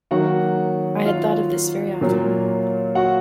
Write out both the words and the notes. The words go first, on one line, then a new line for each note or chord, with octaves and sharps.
I had thought of this very often.
D#3 F#3 A#3 F#4 F#5
F4 F5
A#2 F#3 A#3
F#4 F#5